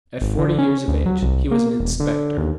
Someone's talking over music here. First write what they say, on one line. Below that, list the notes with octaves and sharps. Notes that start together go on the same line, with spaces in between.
At forty years of age he was an inspector.
G#1
D3
C#4
D2
F#3
C2
A#3
E1
D3
D#2